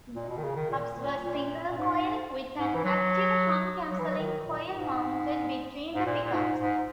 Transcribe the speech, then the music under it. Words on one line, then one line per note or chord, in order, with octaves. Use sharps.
The pickups were single-coil, with an active hum-cancelling coil mounted between the pickups.
A#2
B2
D#3
C#3
D#3
A#2
A#2
A#2
A#2
G#2
G#2
E3
F#3
F#3
E3
F#3
D#3
A#2
G#2
G#2
A#2
A#2
G#2
G#2